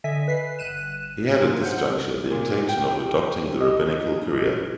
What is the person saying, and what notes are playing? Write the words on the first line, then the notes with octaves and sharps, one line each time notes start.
He had at this juncture the intention of adopting the rabbinical career.
D3 D#5 E5 G#5 B6
B4 B6 C7
G1 F#6 D#7 E7
D#3 A#3 F4
C5 F#5 F6 G6
A#2
G5
D#5